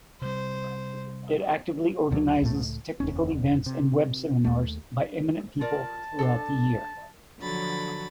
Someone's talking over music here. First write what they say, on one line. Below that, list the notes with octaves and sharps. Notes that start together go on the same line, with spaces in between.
It actively organizes technical events and web seminars by eminent people throughout the year.
C3 G3 C5
D2 D3 F#3
C#2 A2 A3
F#1 E2 C#4
C3
D#2 A3
F4 A#4 D5 A5
D4 D#4 A4
D3 F3 F#3 B5 A6